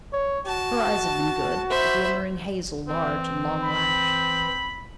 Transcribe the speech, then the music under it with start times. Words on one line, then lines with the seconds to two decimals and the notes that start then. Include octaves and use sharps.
Her eyes had been good--a glimmering hazel, large and long-lashed.
0.13 C#5
0.46 F#4 A5
1.70 C5 E5 B5
2.88 E3 C4
3.64 B5